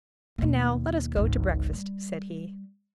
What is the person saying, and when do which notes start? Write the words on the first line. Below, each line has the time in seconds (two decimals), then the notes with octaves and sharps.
"And now let us go to breakfast," said he.
0.38 D#2 B2
1.16 G#1 C#2
1.73 G3